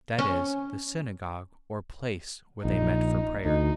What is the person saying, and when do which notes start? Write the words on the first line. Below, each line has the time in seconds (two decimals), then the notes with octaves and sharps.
That is, the synagogue or place where they met for prayer.
0.19 C#4
2.64 A#1 D#4
3.45 D2 D#4